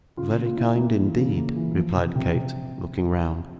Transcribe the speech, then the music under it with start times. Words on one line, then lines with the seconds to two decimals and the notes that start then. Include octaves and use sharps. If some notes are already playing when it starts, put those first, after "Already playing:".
'Very kind, indeed,' replied Kate, looking round.
0.17 C#3 F4
0.38 A#3
0.46 F4
0.57 A#3 E4
0.78 A#3
0.97 E3
1.17 C#3
1.37 A#3
1.56 E3
1.76 F3
1.96 C3
2.16 C3
2.34 C3